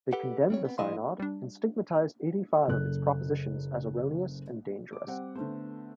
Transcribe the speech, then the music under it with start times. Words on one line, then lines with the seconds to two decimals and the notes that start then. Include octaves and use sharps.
They condemned the synod and stigmatized eighty-five of its propositions as erroneous and dangerous.
0.13 G4 A4 B4 F#5
0.50 G3 C4 C#5
0.65 B3 C4
0.78 A2 F3 E4 D#5 F5 C6
1.20 G3 D4
2.68 F#1 A4 F#6
4.93 D6
5.07 G3 C4 F#5
5.35 D3 A3 B3 C5